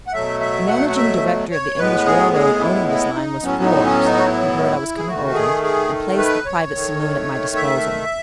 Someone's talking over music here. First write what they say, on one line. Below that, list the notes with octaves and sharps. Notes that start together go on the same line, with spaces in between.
The managing director of the English railroad owning this line was Forbes, who heard I was coming over, and placed the private saloon at my disposal.
F#5
B2 F#3 A3 E5
E5
F#5
F#5
E5
C#5
A2 G#3 B3 B4
G#4
G#4
E4
E4
D#4
A2 F#3 B3 C#4
D#4
C#4
D#4
F#4
E4
G#4
D#3 A3 F#4
G#4
G#4
B4
C#5
D#3 A3
E5